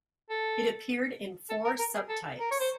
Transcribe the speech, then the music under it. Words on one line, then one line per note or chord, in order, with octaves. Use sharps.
It appeared in four sub-types.
A4
A4
A#4
A#4
G#4
A4
A#4
C#5
C5